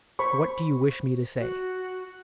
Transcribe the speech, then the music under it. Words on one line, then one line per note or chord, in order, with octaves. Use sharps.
"What do you wish me to say?"
C5 B5 C#6
F#4